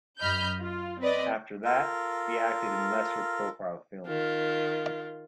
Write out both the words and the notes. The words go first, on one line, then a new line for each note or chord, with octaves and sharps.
After that, he acted in lesser profile films.
F#2 D#5 B5 F6 G6
F4
C4 B4 D5 D#5
F4 A4 A#4
D#3 F4